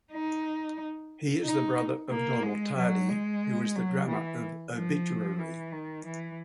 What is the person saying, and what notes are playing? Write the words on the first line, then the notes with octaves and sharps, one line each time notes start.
He is the brother of Donald Tardy who is the drummer of Obituary.
D#4
D#4
A#3
G#3
F#3
G#3
F#3
E3
F3
E3
D#3
E3